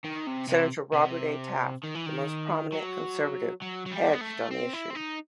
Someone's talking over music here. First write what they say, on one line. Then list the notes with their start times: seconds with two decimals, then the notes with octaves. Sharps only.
Senator Robert A. Taft, The most prominent conservative, hedged on the issue.
0.04 D#3
0.27 C3
0.48 C3
0.93 C3
1.83 D#3
1.95 E3
2.06 D#3
2.72 F#3
3.62 F#3
3.86 F#3
3.91 G3
4.13 B3
4.21 A3
4.51 C4
4.74 E4
4.90 C4
4.95 D#4